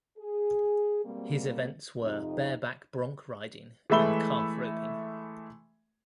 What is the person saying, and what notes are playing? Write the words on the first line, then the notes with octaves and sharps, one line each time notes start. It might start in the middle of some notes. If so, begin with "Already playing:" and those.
His events were bareback bronc riding and calf roping.
G#4
B2 G3 G#3 A#3 C4
F2 C3 D#4
E3 G#3 A3 E5 B5 G7